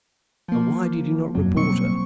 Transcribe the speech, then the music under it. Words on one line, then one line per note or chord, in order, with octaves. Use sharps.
"And why did you not report her?"
F3 A#3
E1 F#2 F#3 C4
B2 G3 A#3 C4 C#6 C#7